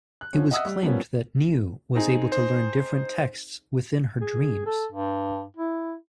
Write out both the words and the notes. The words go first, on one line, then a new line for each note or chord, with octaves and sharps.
It was claimed that Niu was able to learn different texts within her dreams.
F#6
F3 C#4
D#5 E5 F#5 D#6 E6 F#6
G3
F3 G3 A#3 B3 C#4
C4 D#4 G#4
C5
G#4
A4
G2
E4